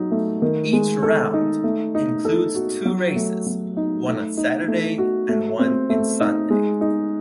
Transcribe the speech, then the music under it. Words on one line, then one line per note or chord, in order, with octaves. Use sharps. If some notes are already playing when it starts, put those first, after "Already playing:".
Each round includes two races one on Saturday and one in Sunday.
Already playing: F#3 D#4
A3
D#3
G#3
A4
D#4
A3
D#4
A4
F#4
F#3
A3
F#3
D#4
A3
D#4
A3
F#4
A3
C4
A3
D#4
G#3
D#4